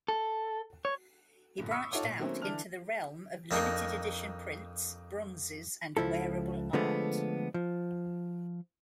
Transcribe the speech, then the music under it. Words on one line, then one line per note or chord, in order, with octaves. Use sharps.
He branched out into the realm of limited edition prints, bronzes, and wearable art.
A4
C#5
G2 A#2 D3
B5 C#6 D#6 E6 B6 C#7
D#4 F4 A4 C#5 F#5 D6
A#2
D#3 F#3 A3 A#3 C4 C#4
D3 E3 D5 A5 F6 F7
F2 A#3 D4 D#4
C#2 F3 E4 A4
D3 F3 G#3 A3 B3
F3